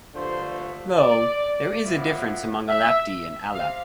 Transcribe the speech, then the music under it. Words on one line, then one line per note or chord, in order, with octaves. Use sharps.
Though there is a difference among Alapti and Alap.
G2 D3 F3 A3 C5
D5
A2 F3 B3
E5
C3 F5